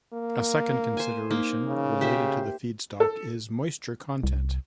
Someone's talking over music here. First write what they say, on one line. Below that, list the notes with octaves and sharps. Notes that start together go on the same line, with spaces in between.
A second consideration related to the feedstock is moisture content.
A#3
C5 G#5
A#3 D#4
C#3
G4 C5 E5
A4
C2